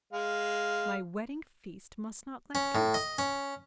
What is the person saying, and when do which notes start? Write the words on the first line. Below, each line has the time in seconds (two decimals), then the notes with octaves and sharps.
My wedding feast must not lack guests.
0.13 G#3 F5
2.55 C#4
2.75 A2
2.94 D#5
3.18 C#4